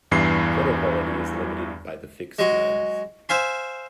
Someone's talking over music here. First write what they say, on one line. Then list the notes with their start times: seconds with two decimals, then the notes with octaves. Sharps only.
Photo quality is limited by the fixed lens.
0.11 E2 G2 E3 C7
2.39 F#3 G#3
3.29 C5 E5 F5 G#5 C6